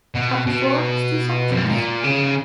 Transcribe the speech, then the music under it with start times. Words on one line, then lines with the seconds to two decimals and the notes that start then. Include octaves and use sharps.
Upper floor has two sections.
0.15 B2
0.47 B2
1.50 F2
1.57 F#2
1.65 G#2
1.73 A#2
2.04 C#3